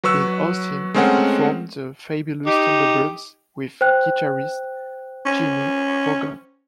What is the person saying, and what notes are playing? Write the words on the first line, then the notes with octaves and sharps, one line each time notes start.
In Austin he formed the Fabulous Thunderbirds with guitarist Jimmie Vaughan.
F#3 B4 C#6 E6
G#3 A3 C4 C#4 A#4 F#5
D#4 G4
C5 G5 F#6
C#4